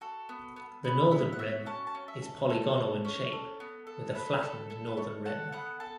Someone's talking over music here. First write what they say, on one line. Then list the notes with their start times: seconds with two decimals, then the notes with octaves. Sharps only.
The northern rim is polygonal in shape, with a flattened northern rim.
0.01 F#4 A4
0.29 B3
0.56 B3
0.84 B3 B4
1.11 B3 E5
1.33 F#5
1.39 F#4 E5
1.66 C#4 A5
1.87 A5
1.95 C#4
2.08 E5
2.22 A4
2.50 A4
2.77 A4
3.05 C#4
3.33 A4
3.60 B3
3.87 A4
4.15 A4 B4
4.43 A4
4.70 A4
4.87 B4
4.97 A4 C#5
5.25 A4 F#5
5.52 B3 F#5
5.80 A4 A5